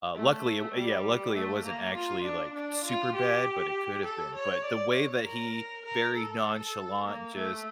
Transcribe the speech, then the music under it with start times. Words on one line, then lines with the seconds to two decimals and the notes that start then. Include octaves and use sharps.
uh, luckily, it wa uh, yeah, luckily, it wasn't actually, like, super bad, but it could've been. But the way that he very nonchalant just,
0.15 A3
0.74 G3
1.35 A3
1.65 A#3
1.95 F4
2.24 D4
2.55 D4
2.85 F4
3.15 G4
4.05 A4
4.35 C#5
4.65 D5
4.95 C#5
5.25 A#4
5.85 A#4
6.16 A4
7.05 A#3
7.35 A3